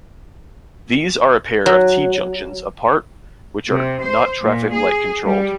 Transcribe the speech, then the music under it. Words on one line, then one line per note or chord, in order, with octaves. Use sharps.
These are a pair of T-junctions, apart, which are not traffic-light controlled.
F#3
C3
C5
A#2
G#4
G3